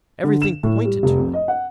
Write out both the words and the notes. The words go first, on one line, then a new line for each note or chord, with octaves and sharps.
Everything pointed to it.
D3
E7
A2
G3
F1
F2
D#5
F#5